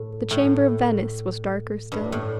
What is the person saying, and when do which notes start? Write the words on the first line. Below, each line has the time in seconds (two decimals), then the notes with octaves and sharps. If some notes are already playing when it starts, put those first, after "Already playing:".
The chamber of Venice was darker still.
Already playing: A2
0.31 A2
1.92 G2
2.12 A2